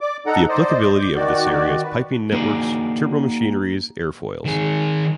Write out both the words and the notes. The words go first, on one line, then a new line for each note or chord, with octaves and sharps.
The applicability of this area is piping networks, turbo-machineries, airfoils.
D5 D6
D#4 A4 F#5 A#5
C5 D5 D#5
D6 G6
D#3 F#4 D5
B4
A#3 D#4 F#4 G#4 D5
D#3 G#4